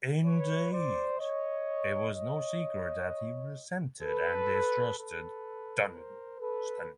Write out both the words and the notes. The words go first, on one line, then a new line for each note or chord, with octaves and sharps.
Indeed, it was no secret that he resented and distrusted Dunstan.
B4 C#5
C5 D5
C#5 D#5
C#5 D#5
A4 B4
A4 B4
A#4 C5
A4 B4